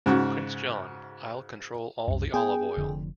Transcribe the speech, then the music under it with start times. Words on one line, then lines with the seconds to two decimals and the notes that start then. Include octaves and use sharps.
Prince John: I'll control all the olive oil!
0.06 G#2 C#3 F#4
2.07 C2 F#2
2.34 B3 G#4 G5
2.77 F1 F2 D3